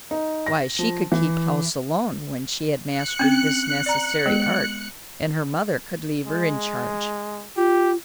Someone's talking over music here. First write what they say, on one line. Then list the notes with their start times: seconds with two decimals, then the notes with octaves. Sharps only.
Why, she could keep house alone when she had mastered this necessary art, and her mother could leave her in charge.
0.11 D#4
0.46 A#6
0.79 F3
1.12 E3
2.86 F#6 C#7
3.19 C4 C#4
3.86 D5 A#5
4.26 G#3 B3 G#4
6.26 G#3
7.57 F4 G4